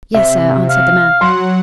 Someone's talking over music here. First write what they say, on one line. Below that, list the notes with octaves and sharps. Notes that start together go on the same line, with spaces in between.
"Yes, sir," answered the man.
C3 E5
F5
F#3 F#5 C6